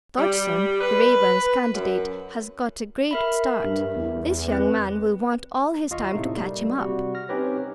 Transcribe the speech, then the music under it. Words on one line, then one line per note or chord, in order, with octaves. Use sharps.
Dodgson, the Raeburns' candidate, has got a great start; this young man will want all his time to catch him up.
G3
B4
F#2
A#4 E5 B5
G2
E2
C4 B4
D#2 F4 D#5 F5 C#6
A2 C3 A3 D#4
G3 A#3
C3 G3 F#4
F6 A#6
C4 C#4 D#4 G4 B4 C#5